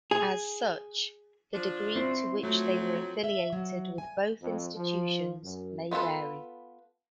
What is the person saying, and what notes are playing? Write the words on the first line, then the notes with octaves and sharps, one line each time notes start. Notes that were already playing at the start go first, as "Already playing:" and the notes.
As such, the degree to which they were affiliated with both institutions may vary.
G#4
F3 D4 F4
C4 E4 C5
F2 F#3 A3
E5
F#3
G#5
F2
F3
F#2
B3 F4 G#4 A4 B4